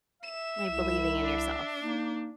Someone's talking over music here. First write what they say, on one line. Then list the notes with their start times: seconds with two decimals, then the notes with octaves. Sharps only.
Like, believing in yourself.
0.23 E5 E7
0.68 C2 E4
1.22 D4
1.81 A#3 D#4